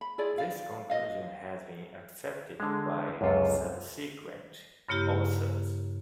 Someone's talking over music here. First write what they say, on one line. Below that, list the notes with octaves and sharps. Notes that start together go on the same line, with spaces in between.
This conclusion has been accepted by subsequent authors.
B5
E4 F4 G#4 D5
D5 F5
D#5 F5
D3 G#3
C#2 F#2 C3 F4 A4
G2 C#3 A#3 E4 G4